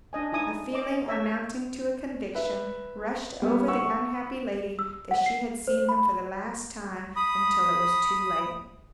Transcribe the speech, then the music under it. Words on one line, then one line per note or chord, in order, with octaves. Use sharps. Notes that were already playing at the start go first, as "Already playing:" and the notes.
A feeling, amounting to a conviction, rushed over the unhappy lady that she had seen him for the last time until it was too late.
D4 D#5 G#5
D#4 E4 G#5 D#6
D#5 D6
C#5 E5
B4 E5
G3 A#3 B3
F#5 C#6 E6
E6
F#5
C7
C5
B5
B5 D#6